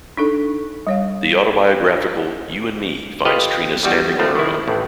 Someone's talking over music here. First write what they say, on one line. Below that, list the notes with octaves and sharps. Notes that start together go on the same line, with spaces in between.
The autobiographical "U and Me" finds Trina standing on her own.
D4 D#4 A4
G3 C#5 F5
F4 G4 A4 B4 D#5 F5
E2 G3 F#4
F3 A3 C4
D#3 E4
A1 A2 E3